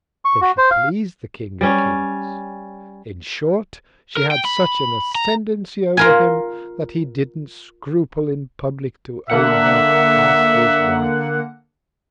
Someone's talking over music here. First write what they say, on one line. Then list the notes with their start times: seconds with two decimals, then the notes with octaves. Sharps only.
For she pleas'd the King of Kings: In short, she had such an Ascendancy over him, that he didn't scruple in publick to own her as his Wife.
0.25 C#6
0.41 F#4
0.58 C5
0.71 F5
1.61 G3 C#4
4.17 A#4
4.31 G5
4.45 B5
5.15 A#5
5.97 F4 A#4 G#5
9.30 D3 A#3 E5 F#5